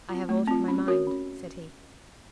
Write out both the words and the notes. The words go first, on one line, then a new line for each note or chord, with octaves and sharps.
"I have altered my mind," said he.
C4 F4
A3
C4 F4
C#4
F#4 A#4 C#5
C#4